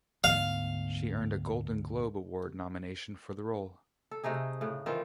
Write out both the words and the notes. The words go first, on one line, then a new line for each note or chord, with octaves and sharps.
She earned a Golden Globe Award nomination for the role.
D2 G#2 B3 F5
A4
C3 A3 D#4 G#4
A2 C#3
D#3 E3 C4 F4